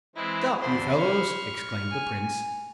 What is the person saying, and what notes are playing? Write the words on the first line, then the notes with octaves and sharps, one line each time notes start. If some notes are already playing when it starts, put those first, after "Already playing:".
"Stop, you fellows!" exclaimed the prince.
E3 G#3 C4 E4
E2 D3 C5 B5
C#6 F6
G#5